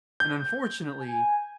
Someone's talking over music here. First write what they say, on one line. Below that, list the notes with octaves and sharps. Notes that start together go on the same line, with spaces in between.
and unfortunately,
G6
G#5